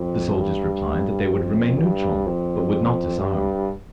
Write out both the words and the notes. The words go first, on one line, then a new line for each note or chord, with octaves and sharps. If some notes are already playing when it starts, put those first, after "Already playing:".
The soldiers replied that they would remain neutral, but would not disarm.
Already playing: F2
G2
F2
G2
F2
G2